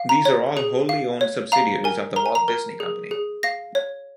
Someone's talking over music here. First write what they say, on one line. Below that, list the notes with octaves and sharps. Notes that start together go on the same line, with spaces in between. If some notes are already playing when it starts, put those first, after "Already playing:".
These are all wholly owned subsidiaries of The Walt Disney Company.
Already playing: F5
A#5
C#5
G#4
F5
C#5
F5 A#5
A#4 G#5
A#4 A#5
G#5
A#5
A#4
G#4
G#4
F5 A#6
C#5